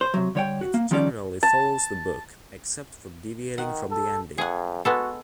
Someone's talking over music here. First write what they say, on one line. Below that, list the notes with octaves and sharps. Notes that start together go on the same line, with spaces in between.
It generally follows the book, except for deviating from the ending.
C5
C3 F#3
D3 G3 C#5 D5 G5
F#4
A#3
D#3 F3 G3 C#4 E4 D5
A5
D#3 F#5
A4
F2 G#4 F#5
G#3 B3 F#4 A4